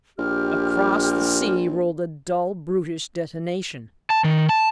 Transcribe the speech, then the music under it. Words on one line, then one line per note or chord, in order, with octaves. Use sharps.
Across the sea rolled a dull, brutish detonation.
A#1 G4 F6
A5
D#3
A5